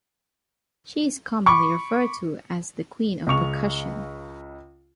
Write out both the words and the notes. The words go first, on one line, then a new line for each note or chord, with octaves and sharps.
She is commonly referred to as The Queen of Percussion.
B5 C#6 D6
C#2 C#3 C#6 F7